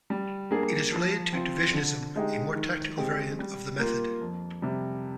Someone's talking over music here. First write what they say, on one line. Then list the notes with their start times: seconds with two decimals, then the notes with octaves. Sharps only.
It is related to Divisionism, a more technical variant of the method.
0.10 G3
0.51 A#3 D4 G#4
0.92 F3
1.33 C4 F4 C5
1.74 D3
2.16 G#3 D#4 G4
2.56 D#3
2.97 G#3 C4 G4
3.39 G3
3.79 A#3 F4
4.21 F2
4.62 C3 G3